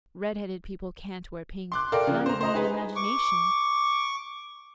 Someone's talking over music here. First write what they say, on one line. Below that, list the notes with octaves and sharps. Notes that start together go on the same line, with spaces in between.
Redheaded people can't wear pink, not even in imagination.
C6 D6 F#6
A4 A#4 D5 F5 G5
C#3 F3
C5 A#5
C5 D#5 A#5
D#4 G#4 B4
C#6 D6